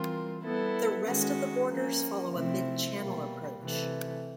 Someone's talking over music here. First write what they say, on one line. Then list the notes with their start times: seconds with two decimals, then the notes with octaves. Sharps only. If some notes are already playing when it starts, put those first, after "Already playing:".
The rest of the borders follow a mid-channel approach.
Already playing: E3 G3 C4 F4 A#4
0.41 G3 B3 E4 A4
1.05 D#3 G#3 C#4 F#4
1.69 F3 A#3 C#4
2.32 C3 F3 A3 C4 E4
2.95 B2 G3 A#3
3.59 C3 E3 A3